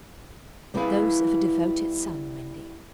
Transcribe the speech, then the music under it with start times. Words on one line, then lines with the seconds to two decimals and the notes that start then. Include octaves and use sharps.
'Those of a devoted son, Wendy.'
0.74 G3 B3 E4 F#4 G#4 F5